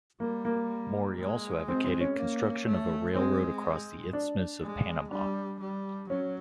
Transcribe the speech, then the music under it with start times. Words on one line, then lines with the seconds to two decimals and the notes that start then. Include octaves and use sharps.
Maury also advocated construction of a railroad across the Isthmus of Panama.
0.20 G3 A#3
0.45 A#3
1.18 G#3
1.68 C4
1.84 C4
2.00 C#4
2.17 A#3
2.66 A3
3.15 G#3 C4
4.13 D4
4.62 G#3
5.11 G3 D4
5.60 G3
6.10 F#3 C#4